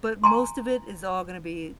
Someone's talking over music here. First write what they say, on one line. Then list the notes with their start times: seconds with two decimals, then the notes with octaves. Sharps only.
but most of it is all gonna be
0.24 G#5 A#5 C6